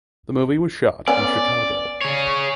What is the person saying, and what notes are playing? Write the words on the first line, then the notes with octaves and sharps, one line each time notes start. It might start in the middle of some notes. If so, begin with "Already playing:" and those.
The movie was shot in Chicago.
B3 C#4 D5
G#4 C#5